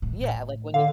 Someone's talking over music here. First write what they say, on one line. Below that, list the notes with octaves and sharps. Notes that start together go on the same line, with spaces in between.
yeah, like when you
A2
D3 F5